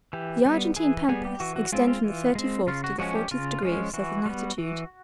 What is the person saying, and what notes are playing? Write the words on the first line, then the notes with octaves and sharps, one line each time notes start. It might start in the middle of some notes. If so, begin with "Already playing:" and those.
THE Argentine Pampas extend from the thirty-fourth to the fortieth degree of southern latitude.
E3 G4
G3 B3
E3 G#4
G3 B3 G#4
G4
E3 F#4
F#4
G#3 C4 F4
F4
E3
G#3 C4
C#3 F4
F#4
F3 G#3 C#4 F#4
G4
C#3 F4
F3 G#3 C#4
E3 F#4
G3 B3
E3